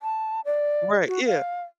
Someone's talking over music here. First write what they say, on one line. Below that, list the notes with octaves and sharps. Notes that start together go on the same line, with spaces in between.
Right, yeah.
A5
D5
F#4
F5